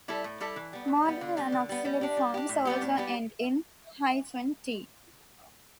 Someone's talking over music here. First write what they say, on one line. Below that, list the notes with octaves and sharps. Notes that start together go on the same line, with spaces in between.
Modal and auxiliary forms also end in "-t".
G3 E4 A4
A2
G3 E4 A4
E3
G3 B3
E3
G3 B3
D3
G3 B3
D3
G3 B3
G3
D4 G4
G3
D4 G4
A2
G3 B3 G4
A2
G3 B3 G4